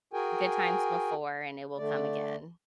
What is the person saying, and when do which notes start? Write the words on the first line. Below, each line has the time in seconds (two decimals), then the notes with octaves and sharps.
good times before, and it will come again.
0.13 F#4 G#4 A#4 G5 G#5
1.78 D3 A3 D5